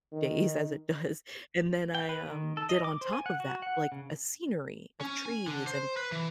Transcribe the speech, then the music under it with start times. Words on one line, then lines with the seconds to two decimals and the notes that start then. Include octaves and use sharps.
days as it does. And then I, um, did on top of that, like, a scenery of trees, and
0.13 D#3
1.95 G5
2.09 B4
2.27 D#3
2.57 A4
2.69 D#5
2.84 D6
3.01 C5
3.13 G#5
3.26 F#5
3.40 F#4
3.62 F#5
3.92 C#3
5.01 C#4
5.25 G#5
5.47 D3
5.67 C5
5.97 B4
6.12 E3